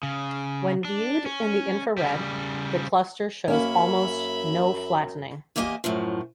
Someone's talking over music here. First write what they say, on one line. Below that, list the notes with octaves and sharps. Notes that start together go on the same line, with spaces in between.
When viewed in the infrared, the cluster shows almost no flattening.
C#3
D4
C#4
C#3 G3
F#2 A#3 C#4 E5 B5
E2 A#3 G4 D#5 F#5 G#5
F#2 A2 F3